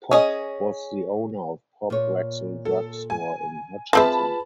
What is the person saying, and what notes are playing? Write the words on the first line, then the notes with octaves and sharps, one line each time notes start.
Popp was the owner of Popp Rexall Drug Store in Hutchinson.
C#4 G#4 D#5
A#2 C#5
A4
G#5
F3 C4 F4 G#4 B4 E5 A5 B5